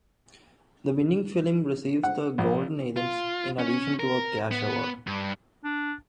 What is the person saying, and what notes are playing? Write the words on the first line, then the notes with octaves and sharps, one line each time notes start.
The winning film receives the Golden Athens in addition to a cash award.
F#5
A#1
F4
C#4
A#4
B3
G2
D4